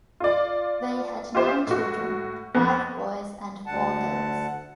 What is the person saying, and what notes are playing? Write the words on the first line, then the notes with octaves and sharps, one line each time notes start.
They had nine children: five boys and four girls.
F4 D5
F4 G4 C5 E5
A2 F#4
F2 B3
D2 D3 F#5 A5